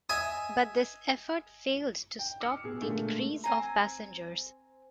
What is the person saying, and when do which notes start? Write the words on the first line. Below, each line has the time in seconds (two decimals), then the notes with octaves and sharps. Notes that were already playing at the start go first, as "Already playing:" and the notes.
But this effort failed to stop the decrease of passengers.
0.09 D#5 E5 G#5 D#6
2.19 G5
2.41 D6 E6 F6 C#7
2.64 B2 G#4
2.82 A#2 D3 G#3 A3
3.44 C4 G#5 A#5